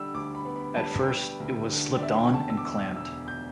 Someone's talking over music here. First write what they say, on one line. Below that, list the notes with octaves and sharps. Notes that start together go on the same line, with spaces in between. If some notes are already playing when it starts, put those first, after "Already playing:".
At first it was slipped on and clamped.
Already playing: D3 G3 E6
D2 D6
B5
B3
B5
G3 A5
B3 G5
D2
D3
D5
E1 E5
G5
E2 A5
E6
D6
E1 E6
E1 E6
G6